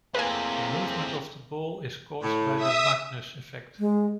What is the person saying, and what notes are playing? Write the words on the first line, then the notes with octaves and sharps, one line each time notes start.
The movement of the ball is caused by the Magnus effect.
A2 C3 A#3 C4 G#4 A4 B4 G#5
A2
E5 D#6
G#3